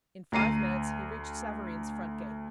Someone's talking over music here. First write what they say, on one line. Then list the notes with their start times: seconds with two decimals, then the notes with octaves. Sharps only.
In five minutes he reached Savareen's front gate.
0.32 D2 A#5 C7 D#7